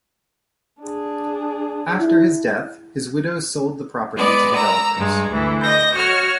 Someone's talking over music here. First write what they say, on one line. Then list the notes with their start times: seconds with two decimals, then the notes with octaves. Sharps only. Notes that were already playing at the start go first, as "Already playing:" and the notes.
After his death, his widow sold the property to developers.
0.82 D4 G#4
2.01 E4
4.15 G#3 B3 D5
4.54 A#5 E6
4.95 G2 G#3
5.29 D2 E3
5.62 D#5 G6 A#6
5.93 F#4 C#5 F6